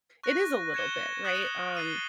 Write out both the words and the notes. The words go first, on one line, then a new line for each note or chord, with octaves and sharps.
it is a little bit, right? Um,
C#6 F#6 A#6
G#6 C#7 E7 G7
D#6 F#6 A6 C#7 F#7
A6 C7 D#7 G7